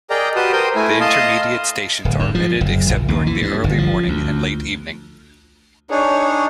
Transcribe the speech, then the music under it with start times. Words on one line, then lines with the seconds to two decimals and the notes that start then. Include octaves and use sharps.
The intermediate stations are omitted except during the early morning and late evening.
0.10 G#4 A#4 D5 D#5 G5 A#5
0.36 F#4 G4 B4 A5 C6 D#6
0.53 A#4 C5 G5 C6 D#6
0.76 A3 E4 G#5
1.01 D#5 F5 A5 C6 D#6
2.05 D1
2.19 G#2
2.35 F3
2.61 F#1
2.90 A#1
3.08 D#2
3.27 E3
3.42 G2
3.64 G1
3.78 F3
4.08 D2
5.91 D4 D#4 G#4 C#5